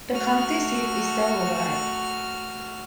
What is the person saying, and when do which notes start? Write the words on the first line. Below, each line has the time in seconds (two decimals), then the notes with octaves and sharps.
The county seat is Telluride.
0.11 A3 F#4 F6